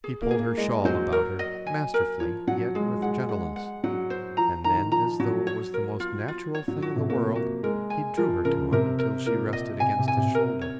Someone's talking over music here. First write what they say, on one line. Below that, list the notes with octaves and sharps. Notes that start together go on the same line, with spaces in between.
He pulled her shawl about her, masterfully yet with gentleness, and then, as though it was the most natural thing in the world, he drew her to him until she rested against his shoulder.
G#4
A#3
G#4
A#3
G#3 D#5
F#3 C5
A#4
D#5
G#5
A#4
F3 C#5
F#3 F#5
G#3 G#4
G#3 F#5
G#3 F#5
F#5
F#3 F#5
C5
F3 A#5
D#3 A#5
D#3
F3 A#5
F#3 F#4
C#5
A#4
F4
F4
C#5
F#3
F3 F#4
C3
A#3 F#4
A#3 F#4
G#3 A#4
G#5
F3 A#4
C#3 A#4
C3 A#4
A#4
A#2 A#4
D#5
C3 G#5
C3
G#5
C3
A#4
C#5